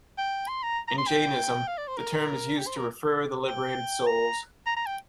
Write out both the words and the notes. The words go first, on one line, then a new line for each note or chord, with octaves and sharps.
In Jainism, the term is used to refer the liberated souls.
G5
C6
A#5
A#5
C6
G5
F5
D5
C5
A#4
G4
C5
A#4
G5
A#5
A#5
A#5
G5